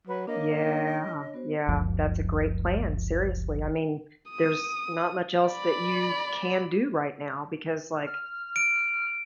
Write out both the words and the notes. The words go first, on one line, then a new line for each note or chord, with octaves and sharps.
Yeah, yeah, that's a great plan, seriously. I mean, there's not much else that you can do right now because, like,
F#3 B4
A#3 D4 C#5 D#5
B3 F#4 C5
F#1 C#2 F#2 F3
D#6
D5 B5
F6
D7